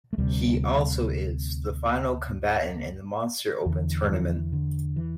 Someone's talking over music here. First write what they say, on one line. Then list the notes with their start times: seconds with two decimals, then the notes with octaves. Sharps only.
He also is the final combatant in the Monster open Tournament.
0.13 A3
0.18 D2 C3 G3
3.66 E2 D3 E3
4.09 E3
4.52 D3
4.96 E3